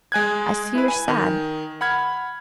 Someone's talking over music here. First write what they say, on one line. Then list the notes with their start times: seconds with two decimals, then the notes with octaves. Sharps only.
I see you're sad....
0.12 G#3 G#5 F#6 G#6
0.75 E4 B4
0.88 G#5 D#7
1.08 D#3
1.81 F#5 B5 F6 G#6